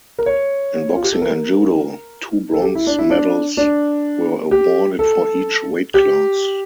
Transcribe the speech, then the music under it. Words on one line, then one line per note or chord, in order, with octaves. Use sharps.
In boxing and judo, two bronze medals were awarded for each weight class.
A#4
C#5
F4
G4
A4
A#4
A4
G4
E4
D4
E4
D4
D4
G4
A4
G4